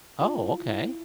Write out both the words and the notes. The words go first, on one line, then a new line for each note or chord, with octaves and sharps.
Oh, okay.
F4
E4
F4
E4